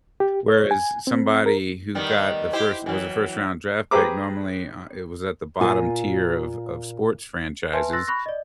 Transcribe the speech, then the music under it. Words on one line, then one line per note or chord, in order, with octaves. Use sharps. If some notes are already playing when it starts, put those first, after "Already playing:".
Whereas somebody who got the first was a first-round draft pick, normally, uh, it was at the bottom tier of of sports franchises,
G4
C#5
G#5
C4
A#4
D#3 G3 B3
E4 G4 C5
E3 F#3
G4 G#4 B4 C5 A#5 D6
A#2 F4 G#5
B4 E5 G#5 A5 C6
C6 E6 F#6 A6 A#6
B5 C#6 F#6 A#6
D5 D#5